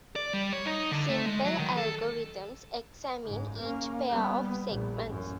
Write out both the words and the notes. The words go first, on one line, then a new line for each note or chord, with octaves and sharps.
Simple algorithms examine each pair of segments.
D5
G3
C#5
D#4
D3
A3
G#3
F#3
D#3
A4
F#1 G#2
A#3 C#4
G3 B3
A#1 A#2
A1 F#2